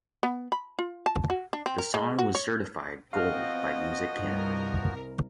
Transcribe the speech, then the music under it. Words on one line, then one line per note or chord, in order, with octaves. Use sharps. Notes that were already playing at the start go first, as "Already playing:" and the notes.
The song was certified Gold by Music Canada.
B3
B5
F4
A5
F#4
D4
C4
A#4
G#3
F#4
C#5
F3 B3 C4 F#4 D#5 F5 F6
C2 G2 A#4